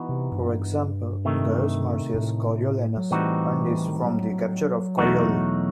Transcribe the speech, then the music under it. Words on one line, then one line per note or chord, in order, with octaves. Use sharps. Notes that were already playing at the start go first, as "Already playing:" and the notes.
For example, Gaius Marcius Coriolanus earned his from the capture of Corioli.
Already playing: E3 B3 D#4 F#4
C3
G2
F#2
G2
C3 D#3 A3
G2
A2
F#3
A2 E3 G3 C4 D#4 F#4
D#3
E3
F#3
E2 B2 A3 D#4 F#4